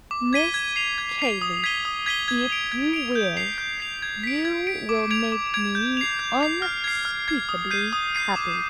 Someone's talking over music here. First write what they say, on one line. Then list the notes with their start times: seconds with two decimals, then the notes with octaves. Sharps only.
'Miss Cayley, if you will, you will make me unspeakably happy.'
0.11 D6
0.33 G#6 B6 D#7 G7
0.54 G#6
0.76 C7 F7
0.98 G#6
1.19 C7 F7
1.42 D#6
1.64 G#6 B6 D#7 G7
1.85 D#6
2.06 G#6 B6 D#7 G7
2.28 G#6
2.50 D7 F7
2.72 G#6
2.93 D7 F7
3.15 G6
3.37 C7 F7
3.58 G6
3.80 C7 F7
4.02 G#6
4.24 B6 D7
4.45 G#6
4.67 B6 D7
4.89 D6
5.11 G#6 D7 F7
5.32 D6
5.54 G#6 D7 F7
5.75 G6
5.97 C7 F7
6.19 G6
6.41 C7 F7
6.62 F6
6.84 G#6 C7
7.05 F6
7.28 G#6 C7
7.49 D#6
7.71 G6 C7 D#7
7.93 D#6
8.15 G6 C7 D#7
8.36 D6